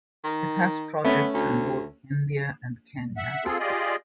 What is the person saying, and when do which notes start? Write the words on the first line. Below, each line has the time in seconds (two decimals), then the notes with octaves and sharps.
It has projects in both India and Kenya.
0.24 D#3
1.04 A3 B3 C#4
1.34 D2
3.17 E5 F#5
3.45 C4 F4 G#4 A4
3.59 F4 G4 G#4 D5 D#5